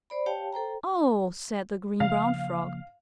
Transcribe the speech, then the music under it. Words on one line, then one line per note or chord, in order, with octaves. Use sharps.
"Oh!" said the Green Brown Frog.
C5 D5 B5
G4 C#5 F5 G5 A5
A4 C5 G5 A#5
C#3 F3 A#3 F5